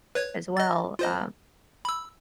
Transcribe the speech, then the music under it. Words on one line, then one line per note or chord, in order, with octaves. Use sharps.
as well, um
B4 C#5 G#6
D#5 A6
F4 C5 D#5
B5 E6